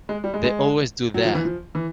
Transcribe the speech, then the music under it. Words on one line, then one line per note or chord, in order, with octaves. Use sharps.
They always do that.
G#3
G3
G#3
G#3
F#3
F3
E3
F3
E3